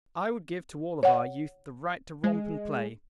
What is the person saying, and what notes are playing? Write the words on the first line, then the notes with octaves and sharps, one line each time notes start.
I would give to all of our youth the right to romp and play.
C#5 F#5
G#3